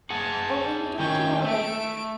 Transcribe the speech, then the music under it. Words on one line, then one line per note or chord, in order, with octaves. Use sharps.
'O Amy, don't do all this.
G#4 F#5 A5
D#3 C#4 G5
A3 E5 D7